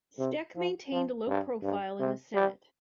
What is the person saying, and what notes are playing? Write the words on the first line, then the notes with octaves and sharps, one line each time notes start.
Steck maintained a low profile in the Senate.
C3
F3
F3
G2
G2
C3
G3